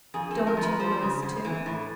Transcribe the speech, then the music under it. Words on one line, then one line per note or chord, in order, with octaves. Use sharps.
"Don't you mass, too?"
F2 G#4
G#3 A4
A#4
F3
B4
F3 C5
C#3
F#2
E3
A2